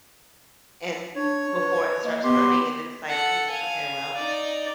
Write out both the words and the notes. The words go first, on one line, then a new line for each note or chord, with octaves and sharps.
and before it starts hurting, and then it's like, "Mm, okay, well,
D4 C#5
B4
A#3 D#5
B3 G4 C6
A4 F#5
F5 G#5
D#4 D5